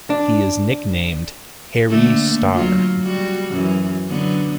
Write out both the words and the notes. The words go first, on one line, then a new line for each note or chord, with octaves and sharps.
He is nicknamed "Hairy Star".
D4
D3 A3 A#3
F#3 F4
G3 F#4
F#2 E3
D3 F#3 B3